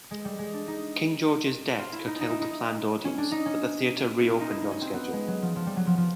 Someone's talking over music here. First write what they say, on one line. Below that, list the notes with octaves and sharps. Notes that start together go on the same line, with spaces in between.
King George's death curtailed the planned audience but the theatre re-opened on schedule.
G#3
G3
G#3
D4
D#4
F4
E4
D#4
D#4
E4
D#4
C#4
D4
D#4
C#4
E4
F4
D#4
E4
D#4
C#4
C4
B3
G#3
F#3
F3
F3
G3
F#3
F3
F3